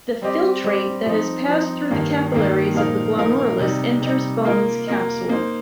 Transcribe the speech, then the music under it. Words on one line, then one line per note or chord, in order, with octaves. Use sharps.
The filtrate that has passed through the capillaries of the glomerulus enters Bowman's capsule.
G3 C4 G4 D#5
G3 C4 G4 D#5
F3 C4 D#4
F3 C4 D#4
G2 D#3 A#3
G2 D#3 A#3
A#2 F3 D#4 A#4 F5
A#2 F3 D#4 A#4 F5
C3 G3 D#4
C3 G3 D#4
A#3 F4 A#4 D#5
A#3 F4 A#4 D#5
A#3 D#4 C5